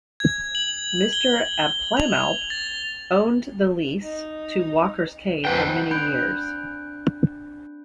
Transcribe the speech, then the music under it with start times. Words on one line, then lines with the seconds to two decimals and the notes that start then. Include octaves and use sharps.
Mr. Abplanalp owned the lease to Walker's Cay for many years.
0.20 G#6
0.55 F#7
1.13 G7
1.97 F7
2.50 A6
4.02 D#4
5.45 F2 B4 F#5 G5
5.91 C4 D4 B5 F#6 G6 D7